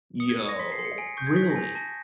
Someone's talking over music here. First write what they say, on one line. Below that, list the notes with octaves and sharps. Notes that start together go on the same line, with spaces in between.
Yo. Really?
D#6 C#7
G#6
D#6
A#6
C6 B6
C7
C6
C#7
G#5 D7
C#7
C#6 G6
G#6
C#6 B6
A#6
G#5
A#6
A5 A#6